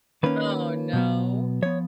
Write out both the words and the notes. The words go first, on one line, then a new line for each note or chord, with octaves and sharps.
Oh, no.
D#3 A#3 C#4 B4
B2 F#3 B3
F3 B3 C#5